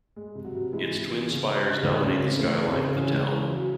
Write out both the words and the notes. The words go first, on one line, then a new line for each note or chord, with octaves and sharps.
Its twin spires dominate the skyline of the town.
G#3
C3
F#3 F#4
C3
E3 G#3 E4
C3
E3
C#3
G#3
C#3
D#3 G#3 D#4
C#3 G#3 C#4
C#4
C#3 C4
E3 A3
C#3
C4
C#3
C#3 E3 C#4
G#3
E3
F#3